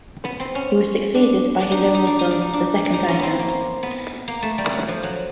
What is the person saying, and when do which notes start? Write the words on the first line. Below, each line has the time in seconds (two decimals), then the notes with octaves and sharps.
He was succeeded by his only son, the second Viscount.
0.25 B3
0.40 C4
0.55 C#4
1.14 D4
1.60 D4
1.72 D#4
1.83 D4
1.95 D#4
2.07 D4
2.19 D#4
2.31 D4
2.42 D#4
2.53 D4
2.85 D4
2.94 D#4
3.08 C#4
3.19 B3 C4
3.39 A#3
3.83 B3
4.28 A#3
4.42 A3
4.58 G3
4.74 F#3
4.88 F3
5.03 F#3